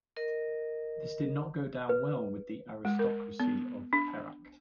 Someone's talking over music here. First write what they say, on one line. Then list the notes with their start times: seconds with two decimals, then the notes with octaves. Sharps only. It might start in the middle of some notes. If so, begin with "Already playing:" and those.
This did not go down well with the aristocracy of Perak.
0.16 A#4 D#5
1.89 B4
2.85 G#3
2.99 A#4
3.40 B3
3.93 D4